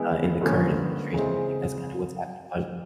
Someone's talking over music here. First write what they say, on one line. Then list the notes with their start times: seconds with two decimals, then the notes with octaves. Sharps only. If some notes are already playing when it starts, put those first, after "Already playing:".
uh, in the current administration, I think that's kind of what's happening, but,
Already playing: E3 G#3 B3 E4
0.41 G2 D3 F3 A#3 C#4
1.14 C#3 E3 G#3 C4